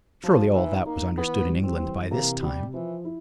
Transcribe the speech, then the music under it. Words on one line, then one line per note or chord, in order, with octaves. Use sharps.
Surely all that was understood in England by this time.
F3 F#3
E3 D#4
A#3 D#4
E3 B3
G3
C4
E3
C3 A#3
C3 G3
E3 F3
E4